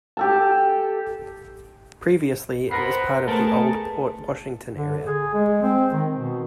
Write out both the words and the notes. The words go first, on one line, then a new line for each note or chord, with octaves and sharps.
Previously, it was part of the old Port Washington area.
G4 A4 A5
A#4 C5 F#5 B5 A#6 C7
A3 B3 G#4 A#4 A5
D3
G#4
G#3
C4
D#3
B2